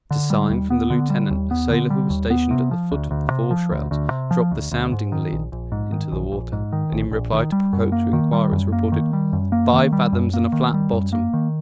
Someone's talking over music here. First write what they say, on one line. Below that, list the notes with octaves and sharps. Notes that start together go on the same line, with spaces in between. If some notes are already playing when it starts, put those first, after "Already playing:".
At a sign from the lieutenant, a sailor who was stationed at the foot of the fore-shrouds dropped the sounding-lead into the water, and in reply to Procope's inquiries, reported--"Five fathoms and a flat bottom."
D3
G3
D#2
B3
D3
G3
D#2
B3
D3
G3
D#2
B3
C3
F3
D2
D2
C3
F3
D2
D2
C3
F3
D2
D2
G#2
D#3
A#1
A#1
G#2
D#3
A#1
A#1
G#2
D#3
A#1
A#1
D#3
G3
F#2
A#3
D#3
G3
F#2
A#3
D#3
G3
F#2
A#3
D#3
G3
F#2
A#3
D#3
G3
F#2
A#3
D#3